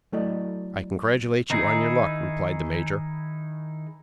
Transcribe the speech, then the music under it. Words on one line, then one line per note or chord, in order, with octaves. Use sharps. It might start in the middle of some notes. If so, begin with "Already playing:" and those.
"I congratulate you on your luck," replied the major.
F#3 A3 E4 A4 D5 D#5
D#3 D#4 E4 G#4